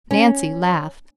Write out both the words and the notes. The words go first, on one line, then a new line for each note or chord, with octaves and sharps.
Nancy laughed.
C#4